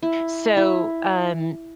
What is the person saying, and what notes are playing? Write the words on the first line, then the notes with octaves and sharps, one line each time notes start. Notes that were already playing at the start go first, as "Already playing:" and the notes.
So, um,
E4
E4